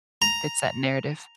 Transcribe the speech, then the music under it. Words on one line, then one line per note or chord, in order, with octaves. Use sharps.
Fits that narrative.
A#5